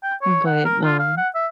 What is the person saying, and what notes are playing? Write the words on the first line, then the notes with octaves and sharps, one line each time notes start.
but, um
G5
C#5
F#5
A#4
F4
F5
F#5
E5